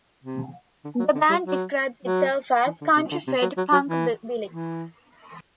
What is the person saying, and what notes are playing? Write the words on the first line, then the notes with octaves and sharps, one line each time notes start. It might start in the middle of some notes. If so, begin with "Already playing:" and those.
The band describes itself as "country-fed punkabilly".
C3
D3
F#3
D3
G3
F#3
F#3
E3
D3
C3
D3
C3
F#3
F#3
F#3
E3
E3